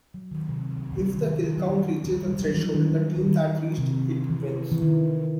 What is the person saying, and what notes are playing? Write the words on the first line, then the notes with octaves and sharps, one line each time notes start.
If the killcount reaches a threshold, the team that reached it wins.
F#3
D#3
C3
D#3
C3
D#3
F#3
F#3
G3
F#3
E3
D#3
D#3
C3
E3
E3
D#3